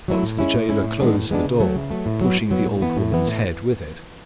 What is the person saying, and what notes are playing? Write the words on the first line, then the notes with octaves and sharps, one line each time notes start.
But the jailer closed the door, pushing the old woman's head with it.
F#3 A3 E4
A2
G#3 C#4 E4
A2
G#3 C#4 E4
A2
E3 G#3 B3 D4
A2
E3 G#3 B3 D4
C#3
F#3 A3
C#3
F#3 A3
A2
F#3 B3
A2
F#3 B3
A2
E3 B3
A2
E3 B3
A2